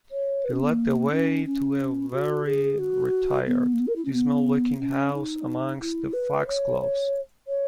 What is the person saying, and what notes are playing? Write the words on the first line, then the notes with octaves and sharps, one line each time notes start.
He led the way to a very retired, dismal-looking house amongst the foxgloves.
C#5
B4
C#4
B3
A#3
C#4
C#4
F#4
G#4
F#4
B3
A#3
B3
A#4
E4
C#4
B3
C#4
D#4
E4
B4
C#5
C#5
C#5